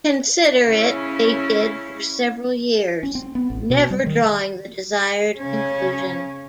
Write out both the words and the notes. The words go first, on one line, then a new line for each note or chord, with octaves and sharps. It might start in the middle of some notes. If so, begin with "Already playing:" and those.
Consider it they did for several years, never drawing the desired conclusion.
C#3 C#4 E4
C#4
C4
B3
A1
B2
G3
D#3
C#3 C#4